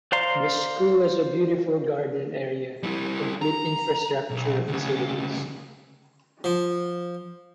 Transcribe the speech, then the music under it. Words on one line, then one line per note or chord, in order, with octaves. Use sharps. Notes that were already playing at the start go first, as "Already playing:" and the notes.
The school has a beautiful garden area complete infrastructure facilities.
C5 D5 F5 A#5 C6
G3 E4
A#5
B1
D2 C#3
F3